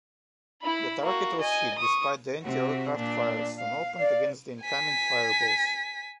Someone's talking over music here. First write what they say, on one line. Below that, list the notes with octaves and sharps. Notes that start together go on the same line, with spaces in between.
The target was hit, despite the anti-aircraft fire soon opened against the incoming 'fireballs'.
E4 B5
A#3 F#4
D#5 G#5
C#6 D#6
C3 F#4
A#2 D4
F5
D5
G#5 B6